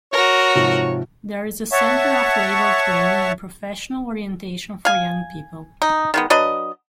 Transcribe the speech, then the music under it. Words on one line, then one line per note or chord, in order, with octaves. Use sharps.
There is a center of labor training and professional orientation for young people.
F#4 A#4 C#5
G#2 C3 F3
C#5 E5 F#5 A5 C#6
F5 G#5
D#4
D#3 G#3 B3
F#3 D4 B4 D#5